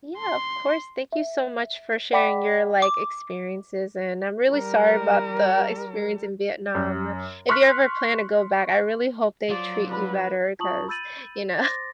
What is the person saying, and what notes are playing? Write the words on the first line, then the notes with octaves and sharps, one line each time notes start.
Yeah, of course, thank you so much for sharing your, like, experiences, and I'm really sorry about the experience in Vietnam. If you ever plan to go back, I really hope they treat you better 'cause, you know
C6
E5
D5 F#5 G5 B5 D6 B6
D6
G3 A#4
F#2
C6 C#6 F6 F#6 B6
F3 F#3 D5
D4 B4 B5
F4 A5 A#5 C#6 D#6 F#7
B5 E6 G6 A6 D#7 F#7
C5 C6 D6 A6 A#6